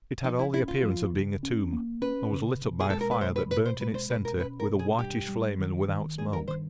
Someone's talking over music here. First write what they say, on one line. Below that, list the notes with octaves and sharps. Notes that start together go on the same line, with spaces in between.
It had all the appearance of being a tomb, and was lit up by a fire that burnt in its centre with a whitish flame and without smoke.
F3 D#4
E4
C#4 E4
F4
F3
C#3
C#4
A#3
C#4 B4
C#3
B2
G#4
G#3 A4
A#4
B4
B2 C5
B4
B2 B4
C5
G#3 B4
C5
B2 B4
A#4
C#4 B4
A#4
B2
G#4
G2 G4
G3
D#3
D#3
G2 G#4
A#4
D#3 C5